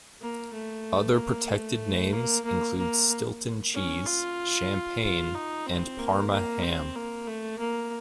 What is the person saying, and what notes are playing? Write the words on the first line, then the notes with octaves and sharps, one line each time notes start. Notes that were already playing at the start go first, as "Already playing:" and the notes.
Other protected names include Stilton cheese, Champagne and Parma Ham.
A#3
A3
A#3
A3
A#3
A#3
A#3
C#4
F4
F4
D#4
C4
A#3
A#3
C4
A#3
A3
A#3